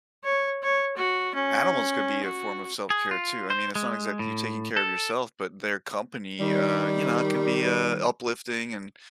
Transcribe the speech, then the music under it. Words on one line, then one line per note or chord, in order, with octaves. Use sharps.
Animals could be a form of self-care too. I mean, it's not exactly you taking care of yourself, but their company, uh, you know, it can be, uh, uplifting and
C#5
C#5
F#4
C#4
F#4
G#4
F4
C5
G#3
A2
A4
D#3 G3